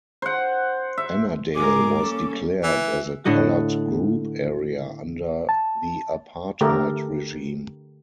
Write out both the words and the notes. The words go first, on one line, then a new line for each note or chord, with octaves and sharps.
Ennerdale was declared as a coloured group area under the Apartheid regime.
C5 F#5
E5
G#2 G#4 A#4 D6
G3 A#3 C#4 A4
E3
A2 D3 D#5 F#5
A5
D3 A3 G4 A4 A#4